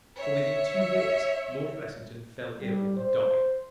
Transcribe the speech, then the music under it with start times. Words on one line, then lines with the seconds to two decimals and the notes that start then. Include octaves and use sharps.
For within two years Lord Blessington fell ill and died.
0.15 C#5 E5
2.60 G3
2.97 C5